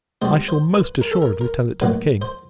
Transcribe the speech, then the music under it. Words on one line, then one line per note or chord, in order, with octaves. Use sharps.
I shall, most assuredly, tell it to the King!
C#2 B2 G3 C5
C5
B4
A#4
A4
A#4
A#4
A#1 A2 F#3 A#3 B4
C5